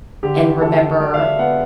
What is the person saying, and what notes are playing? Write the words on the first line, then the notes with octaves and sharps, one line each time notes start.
and remember,
D3 G4
D3 A4
F#3 D5
F5
E5
B3 F#5